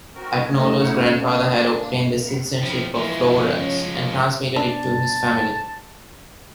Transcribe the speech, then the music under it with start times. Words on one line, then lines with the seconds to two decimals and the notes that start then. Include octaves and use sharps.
Agnolo's grandfather had obtained the citizenship of Florence and transmitted it to his family.
0.15 C4 F#4 A#4
0.56 E2 C#3 A3 B3 D#5
0.80 D#4 E4 F#5
1.19 A#3 D4
2.61 A2 F3 C4
2.95 E3 F3 G#3
3.54 C#4
3.91 D#2
4.56 D4 A5